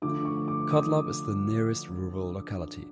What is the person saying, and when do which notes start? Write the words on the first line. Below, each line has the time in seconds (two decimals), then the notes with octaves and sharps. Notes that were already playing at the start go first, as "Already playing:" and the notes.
Khotlob is the nearest rural locality.
0.02 D3 F3 A3 D6
0.25 C#6
0.48 D6
0.71 D#6